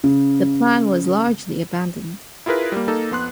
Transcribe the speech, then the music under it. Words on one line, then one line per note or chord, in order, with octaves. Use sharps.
The plan was largely abandoned.
C#3
E4 F4 G#4 A#4 B4
G3 A#3
A#3 D#4 A4
F2 B3 C6 F#6